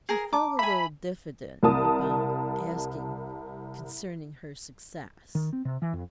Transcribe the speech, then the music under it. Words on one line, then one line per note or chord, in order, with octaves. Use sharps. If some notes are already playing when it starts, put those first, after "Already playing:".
He felt a little diffident about asking concerning her success.
G#4 A#4
A5 A#5 D6
E5 G#5 B5
C2 A#4 A5 D#6
D#3
C4
C3
E3
F2